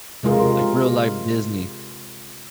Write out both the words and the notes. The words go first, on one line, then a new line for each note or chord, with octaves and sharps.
Like real life Disney.
C3 G#3 F4 A#4